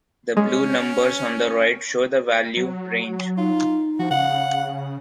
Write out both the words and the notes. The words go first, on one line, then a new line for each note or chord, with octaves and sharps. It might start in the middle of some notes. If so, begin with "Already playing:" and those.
The blue numbers on the right show the value “range”.
G#3 C#4
F#3
D#4 F4
F3 F#4
C#3 F5 F#5